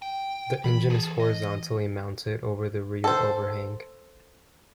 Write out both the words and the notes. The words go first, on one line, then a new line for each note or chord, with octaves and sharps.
The engine is horizontally mounted over the rear overhang.
G5
E3 B5
G#4 A4
D#5
A4 C5